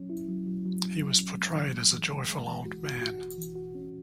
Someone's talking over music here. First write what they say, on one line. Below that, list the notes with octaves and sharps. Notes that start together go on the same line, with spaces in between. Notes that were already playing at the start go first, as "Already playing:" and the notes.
He was portrayed as joyful old man.
Already playing: F#3 C#4
E4
F#3
F#3
F#3
F#3
F#3
C#4
G#3
E3
G#3
E3
G#3
G#3
E3
F#4
F#4
F#4
F#4
E3
F#4
C#4